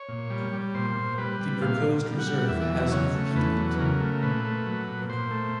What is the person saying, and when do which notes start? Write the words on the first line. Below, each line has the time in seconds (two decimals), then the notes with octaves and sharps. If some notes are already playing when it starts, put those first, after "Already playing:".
The proposed reserve has of peatland.
Already playing: C#5
0.09 A#2
0.30 G3
0.52 G3
0.75 A#2 C5
0.96 A#2
1.18 G3 B4
1.40 G3
1.61 A#2 F5
1.83 A#2
2.05 G3
2.19 F#5
2.27 G3
2.48 E2 E5
2.70 F#3
2.92 C#3 C#5
3.14 A3
3.35 E2 B4
3.58 F#3
3.79 C#3 A#4
4.00 A3
4.23 A#2 B4
4.45 A3
4.66 F#3
4.88 A#2
5.10 A#2 C5
5.31 A3